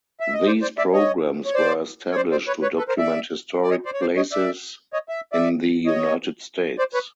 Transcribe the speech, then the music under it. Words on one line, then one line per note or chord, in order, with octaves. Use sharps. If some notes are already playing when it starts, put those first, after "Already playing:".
These programs were established to document historic places in the United States.
E5
D#5
C5 D5
C5 D5
D5 E5
C#5 D#5
C#5
C5 D5
C#5
C5 D5
C5 D5
B4 C#5
B4 C#5
A4 B4
A#4 C5
D5 E5
D5
C#5 D#5
C5 D5
C#5
C5 D5
C#5 D#5
D5 E5
C#5 D#5
E5
D5 E5
C#5 D#5
C5 D5
B4 C#5